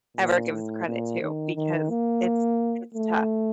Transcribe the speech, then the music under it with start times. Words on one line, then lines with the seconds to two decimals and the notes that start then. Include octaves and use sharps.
ever gives credit to, because it's it's tough.
0.17 A#2
0.51 A2
0.86 A#2
1.21 D#3
1.55 D#3
1.90 A#3
2.94 A3